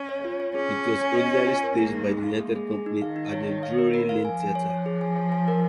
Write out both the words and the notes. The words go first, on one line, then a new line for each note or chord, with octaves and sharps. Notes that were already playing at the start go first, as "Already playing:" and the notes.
It was originally staged by the United Company at the Drury Lane Theatre.
Already playing: C#4
C#5
F4
C#5
C#4 G#4
C#5
C#5
G#5
D#5
F4
G#5
A#4
A#3 G#4
D#4
G#3 G#4
F5
A#3
G#4
G#4
D#4
D#3 F5
D#4
C#5
C#5
F5
A#4
A#4
F5
F3 G#5
G#5
C#5
C#5
G#4
G#5
C#5
G#5
A#4